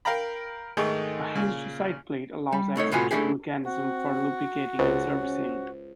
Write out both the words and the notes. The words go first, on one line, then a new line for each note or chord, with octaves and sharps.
A hinged sideplate allows access to the mechanism for lubricating and servicing.
A#4 F5 G5 A#5 B5
G#2 D#3 G#3 A3 D#4 C#6
A#2 C#3
G3
C2 A3 D#4 C#5
A2 C3 B3 F4 F#4 G#5
A3 C4 D4 E4 G4 G#4
C4 F#4
C#2 C#4 C5